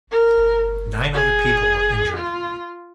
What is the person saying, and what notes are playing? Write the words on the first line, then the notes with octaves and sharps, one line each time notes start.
Nine other people were injured.
A#4
G#4
F4